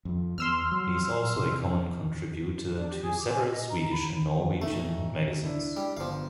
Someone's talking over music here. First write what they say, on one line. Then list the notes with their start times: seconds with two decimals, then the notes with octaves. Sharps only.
He is also a common contributor to several Swedish and Norwegian magazines.
0.05 F2 F3
0.38 E2 C6 E6 F6
0.72 F#3
1.37 C3
2.74 D4
2.88 G4
3.02 G#4
3.18 D6
3.30 G#5
3.50 D#5
3.67 A#5
3.91 B5
4.62 B1 A3 D#4
5.43 D4 E4
5.77 G3
5.97 G1 F3 F5 D6